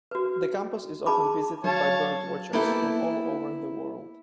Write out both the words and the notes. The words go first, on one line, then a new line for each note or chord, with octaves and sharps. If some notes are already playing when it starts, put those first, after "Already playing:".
The campus is often visited by bird watchers from all over the world.
F#4 B4
D#4 G#4 A5 B5 D6
F#3 C#5 F5 A5
A#3 B3 E4 G4 A4